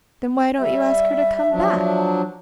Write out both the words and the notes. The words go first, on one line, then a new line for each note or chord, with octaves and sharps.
"Then why don't you ask her to come back."
G3 E5
F3 F#3 D4